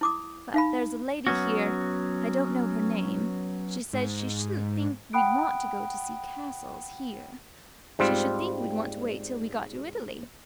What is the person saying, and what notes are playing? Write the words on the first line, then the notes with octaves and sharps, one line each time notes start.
But there's a lady here--I don't know her name--she says she shouldn't think we'd want to go to see castles HERE; she should think we'd want to wait till we got to Italy.
E4 D6 D#6
D#4 F5 B5
F#3 B3 C#4 F#4
G#2
F#5 G5 B5 D#6 F#6 D7
G#2 G3 C4 F4